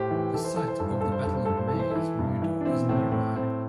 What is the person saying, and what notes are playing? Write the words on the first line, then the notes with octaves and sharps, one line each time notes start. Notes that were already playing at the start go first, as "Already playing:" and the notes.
The site of the Battle of Maes Moydog is nearby.
Already playing: A2 G4 C5
E3
E3 A4
C5
E3 A4
C5
G2 A4
C5
G2 A4
C5
G2 A4
C5
G2 A4
C5
A4
E3
C5
E4 A4
E3
G2
E3
D4
E3 C4 E4
A2 C4
A2 C4
A2 C4